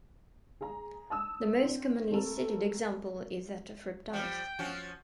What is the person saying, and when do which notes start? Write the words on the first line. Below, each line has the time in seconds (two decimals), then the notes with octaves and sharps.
The most commonly cited example is that of reptiles.
0.61 G#4 A#5
1.10 A5 D#6 E6
1.64 C4 D4 E4
2.11 A3 C4 A4 A#4
4.13 F3 G3 G5
4.59 F3 C#4 F#4